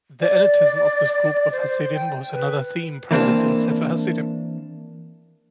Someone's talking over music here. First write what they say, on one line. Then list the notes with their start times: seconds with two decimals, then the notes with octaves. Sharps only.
The elitism of this group of Hasidim was another theme present in Sefer Hasidim.
0.21 D5
1.52 C5
1.95 G5
2.34 B4
3.11 E3 A#3 C4 D4